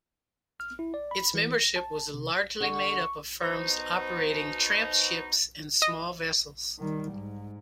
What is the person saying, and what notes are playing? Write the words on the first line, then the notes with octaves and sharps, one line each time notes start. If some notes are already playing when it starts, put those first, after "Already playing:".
Its membership was largely made up of firms operating trampships and small vessels.
F6
E4
D5
B5
E3
A#6
A5
C3
D3 F#5 C#6
B2 D#4 C5
D#5
D#3 G3
G#2